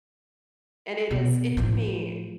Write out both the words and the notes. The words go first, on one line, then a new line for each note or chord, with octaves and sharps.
and it is it took me
B2
A2 F3